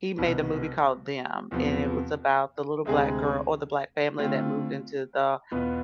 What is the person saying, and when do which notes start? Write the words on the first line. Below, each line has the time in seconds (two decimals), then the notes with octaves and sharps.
He made a movie called Them, and it was about the little Black girl or the Black family that moved into the
0.18 C2 B2 B3
1.51 E2 C3 F3 B3
2.85 D2 C3 G#3 C4 G#4
4.18 D3 A3 C4 F4
5.51 E2 B2 B3 F4 B4